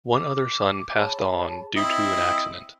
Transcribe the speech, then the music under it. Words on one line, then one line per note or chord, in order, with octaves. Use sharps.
One other son passed on due to an accident.
D6
G#4 C#5 A5 B5
C4 E4 D#5